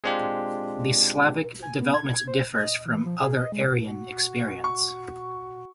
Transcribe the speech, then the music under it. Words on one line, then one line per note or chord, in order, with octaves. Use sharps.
The Slavic development differs from other Aryan experience.
G#3 C4 D4 F4 G4
G#5
B3
G#6
C5
D#5
E3
F3
G#4
D#5
G#3
F#4
C#6